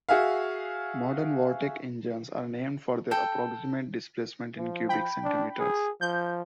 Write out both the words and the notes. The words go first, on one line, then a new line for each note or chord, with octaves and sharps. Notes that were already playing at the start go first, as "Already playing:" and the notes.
Modern Vortec engines are named for their approximate displacement in cubic centimetres.
F#4 G#4 E5 F5
A4 G5
F3
G5 B5
D4
G#4
F3 G6